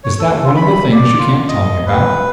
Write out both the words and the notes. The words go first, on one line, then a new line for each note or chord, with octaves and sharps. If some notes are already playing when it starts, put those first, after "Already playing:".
"Is that one of the things you can't tell me about?"
C#5
A4
F4
B5
D5
F4
D#5
B4